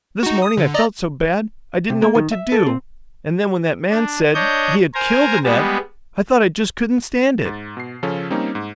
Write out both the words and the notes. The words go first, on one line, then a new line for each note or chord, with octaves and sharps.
This morning I felt so bad I didn't know what to do, and then when that man said--he had killed Annette--I thought I just could not stand it.
D#4 F#4
D#6
D3
D5 D#5 A#5
C3
A#3
D#3
E5
A4
C4
D4
D4 C#5 D#5 G6
A#4 C5 G#5 A#5
G3 G#3 B3
G#2 A6
B2 C7
C#3 F3 C#4 A4
G3 A#3 C4 C#4 D#4
G#2